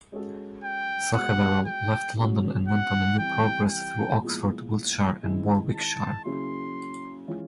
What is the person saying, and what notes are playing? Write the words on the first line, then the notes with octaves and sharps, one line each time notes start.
Sacheverell left London and went on a new Progress through Oxford, Wiltshire and Warwickshire.
G#3 C#4 F#4 A4
G5
B2 G#3 B3 F#5
G5
B2 G#3 C#4 F#4
F#5
C3 E3 G3 G5
G5
A#2 F3 G#3 B3 E4
D#3 G#3 C4 E4
A5
C#3 F#3 A#3 C#4 E4 C6
E3 G#3 C#4 F4